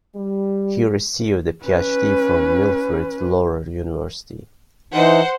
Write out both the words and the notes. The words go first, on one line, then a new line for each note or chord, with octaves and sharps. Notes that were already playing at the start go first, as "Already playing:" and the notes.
He received a PhD from Wilfrid Laurier University.
G3
C#4 B4
E3 D#4 C5 F#5